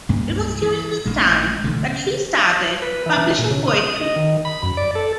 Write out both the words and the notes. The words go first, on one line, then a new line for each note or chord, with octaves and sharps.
It was during this time that she first started publishing poetry.
C#2 G2 A#3
E3
A1 A#2 G#3
B1 D3 E3 A3
C#3
B4
E3
A#2
C#3
D#6
D#5
D#3
B5
F#2
D5
A4